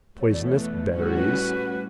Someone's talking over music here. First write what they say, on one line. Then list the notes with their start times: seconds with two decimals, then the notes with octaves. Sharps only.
Poisonous berries.
0.20 E2 B2 A3 C#5
0.33 D5
0.45 C#5
0.59 B4
0.96 A2 G3 C#4 F#4 A4
1.15 B4